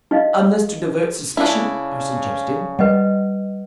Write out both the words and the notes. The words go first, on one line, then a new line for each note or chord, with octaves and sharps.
"Unless to divert suspicion," I suggested.
D#4 D#5 F5
C#3 D4 E4
G3 B4 D#5 F#5